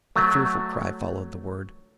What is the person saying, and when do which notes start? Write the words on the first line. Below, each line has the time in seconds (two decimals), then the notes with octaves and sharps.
A fearful cry followed the word.
0.16 F#3 A3